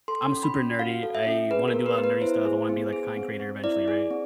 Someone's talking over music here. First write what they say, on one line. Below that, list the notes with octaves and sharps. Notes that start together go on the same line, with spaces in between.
I'm super nerdy, I wanna do a lotta nerdy stuff, I wanna be, like, a content creator eventually, right?
A4 C6
C6
C#4
B5
C#4
F#4 F5
A4
E5
C#4
G#4 B4
A#4
B3
B4
B3
B4
E4 C5
G#4
B3
G#4
C4
C4
E4 D5
G#4
C4